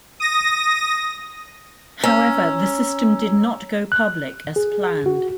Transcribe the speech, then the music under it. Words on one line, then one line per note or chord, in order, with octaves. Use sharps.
However, the system did not go public as planned.
D#6 A#6
C#4 A#5 E6
F#6
G#4
F#4